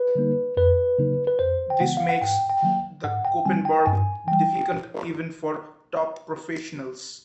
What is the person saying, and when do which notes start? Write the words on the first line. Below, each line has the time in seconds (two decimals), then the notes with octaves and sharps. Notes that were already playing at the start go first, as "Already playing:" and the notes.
This makes the Koppenberg difficult even for top professionals.
Already playing: B4
0.15 D3 G3 A#3 D#4
0.57 F2 B4
0.98 C#3 F#3 A#3 D#4
1.27 B4
1.39 F2 C5
1.70 G5
1.80 C#3 E3 G#3 B3 F#5
1.97 F5
2.09 F#5
2.22 G#2 G5
2.50 G5
2.62 D#3 F#3 A#3
3.04 G#2 F#5
3.25 G5
3.45 D#3 G3 C4 G#5
3.65 G5
3.86 G2 G#5
4.27 E3 G3 G5